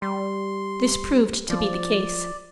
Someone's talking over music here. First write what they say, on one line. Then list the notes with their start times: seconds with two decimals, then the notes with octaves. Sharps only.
This proved to be the case.
0.02 G3 C6
1.50 F3 D5